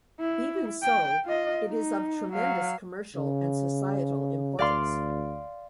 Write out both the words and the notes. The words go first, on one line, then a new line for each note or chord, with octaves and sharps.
Even so, it is of tremendous commercial and societal importance.
E4
G5
F4 D#5
D#4
F#3 F5
C#3
D2 D5 F5 C6